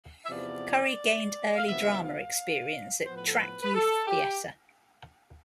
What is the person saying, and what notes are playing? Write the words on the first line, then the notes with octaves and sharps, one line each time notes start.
Curry gained early drama experience at Track Youth Theatre.
E5
E2 C3 F3 B3 D5
F5
D2 C3 F3 B3 E5
F5
A2 F3 B3 C5
B4
A4
B4
B4
A4
G4